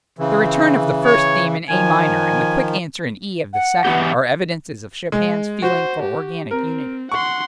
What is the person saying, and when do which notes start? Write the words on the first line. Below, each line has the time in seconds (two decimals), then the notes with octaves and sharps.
The return of the first theme in A minor and the quick answer in E of the second are evidences of Chopin's feeling for organic unity.
0.19 C#3 E3 C4
1.05 C#5
1.69 D#3 F3 G#5
3.53 F#5
3.85 E3 B3 G4
5.12 G#3
5.62 F#4 C5
6.02 G4
6.51 C4 A#4
7.12 F#5 C6 C#6